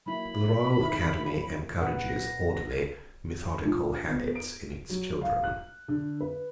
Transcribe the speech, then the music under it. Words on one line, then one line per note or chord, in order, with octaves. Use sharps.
The Royal Academy encourages orderly, methodical habits in its children.
F#3 A#3 E4 B5
D#3 E4
A#2 B4 F#5
A#6
A#1
B3
D7
F#3
F5
F#6
D3
B4